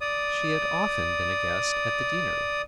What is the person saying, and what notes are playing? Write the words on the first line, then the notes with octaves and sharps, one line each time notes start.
She had often been a guest at the deanery.
D5 D#6